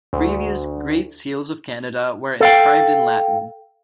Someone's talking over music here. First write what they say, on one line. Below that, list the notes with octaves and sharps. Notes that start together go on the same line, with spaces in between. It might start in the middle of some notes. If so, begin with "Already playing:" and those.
Previous Great Seals of Canada were inscribed in Latin.
D2
A4 F5 G5